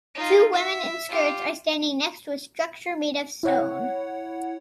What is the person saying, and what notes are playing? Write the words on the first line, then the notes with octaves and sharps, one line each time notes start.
Two women in skirts are standing next to a structure made of stone.
D#4 F4
E5
F4 G4
E4 C#5 F#5